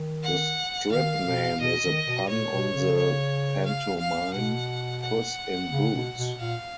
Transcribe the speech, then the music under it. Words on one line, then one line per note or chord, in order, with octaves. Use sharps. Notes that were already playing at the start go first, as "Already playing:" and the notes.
The strip name is a pun on the pantomime "Puss in Boots".
Already playing: D#3
F#5
D#3 F5
B2
B2 D#5
D#3
B2
A#2 C#5
B2
C#3
C#5
F5
F5
B2 F#5
F#5
C#3
B2
B2
A#2 F5